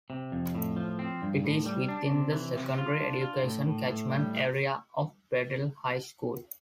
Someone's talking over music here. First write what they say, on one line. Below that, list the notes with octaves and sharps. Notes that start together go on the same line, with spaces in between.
It is within the Secondary Education Catchment Area of Bedale High School.
C3
F2
A2
F3
C4
G2
A2
G3
D4
C3
E3
C3
F4
D4
F4
A2
A2
A2
G3